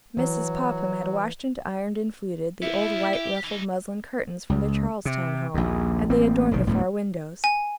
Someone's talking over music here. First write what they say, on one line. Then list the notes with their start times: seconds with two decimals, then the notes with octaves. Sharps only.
Mrs. Popham had washed and ironed and fluted the old white ruffled muslin curtains from the Charlestown home, and they adorned the four windows.
0.17 E3 F#3
2.62 F3 B3 E4
3.13 G4
3.44 E3 D#4
4.50 C#2
5.05 C3
5.54 A#1 D#2
6.10 A1 A#3 C4
6.51 F1 B1 D#3
6.67 E1 D2 A2 G3
7.44 G#5